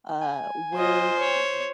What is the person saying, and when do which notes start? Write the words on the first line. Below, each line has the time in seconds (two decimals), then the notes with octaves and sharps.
uh, where
0.22 G#5
0.76 F4 C5 D#5
1.19 C#5